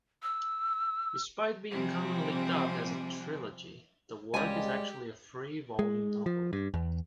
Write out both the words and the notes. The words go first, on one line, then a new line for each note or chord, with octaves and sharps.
Despite being commonly dubbed as a trilogy, the work is actually a three-volume novel.
E6
C3 F3 G3 G#3 C4
C#2 G3 G#3 G4 G#5
G#3
F3
G2
E2